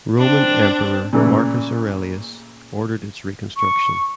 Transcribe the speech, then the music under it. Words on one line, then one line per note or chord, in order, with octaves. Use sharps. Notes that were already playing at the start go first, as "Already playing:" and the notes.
Roman Emperor Marcus Aurelius ordered its reconstruction.
C4 D4
A#2 C#3 E3 A3
C#6